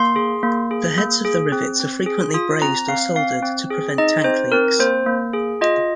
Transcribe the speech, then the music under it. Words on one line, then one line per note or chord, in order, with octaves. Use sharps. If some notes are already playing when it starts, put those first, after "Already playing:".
The heads of the rivets are frequently brazed or soldered to prevent tank leaks.
Already playing: A#3 C6
G#4
A#3
G#4
A#3
G#4
C4
C4
G#4
F4 D#6
C4 A#5
C4 F5
C4 F5
C4
G#4
D#4 D#5
C4 C5
C4 A#4
A#3 C5
A#3
G#4
F4 D#5